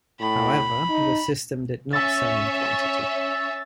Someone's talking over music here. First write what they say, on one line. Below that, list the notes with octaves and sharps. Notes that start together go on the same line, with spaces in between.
However, the system did not sell in quantity.
A2 B5
D#4
C#4 E5 E6 A6